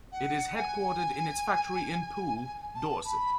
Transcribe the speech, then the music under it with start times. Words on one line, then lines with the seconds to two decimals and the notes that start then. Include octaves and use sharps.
It is headquartered in its factory in Poole, Dorset.
0.12 F#5
0.55 G#5
2.74 A5
3.04 B5